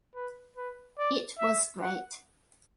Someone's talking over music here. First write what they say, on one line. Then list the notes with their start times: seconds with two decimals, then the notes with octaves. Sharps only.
It was great.
0.15 B4
0.56 B4
0.98 D5
1.38 E5
1.81 F#5